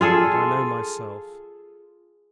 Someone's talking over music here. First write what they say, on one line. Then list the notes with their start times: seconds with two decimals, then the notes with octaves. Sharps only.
And I know myself.
0.01 F4 G#4 A4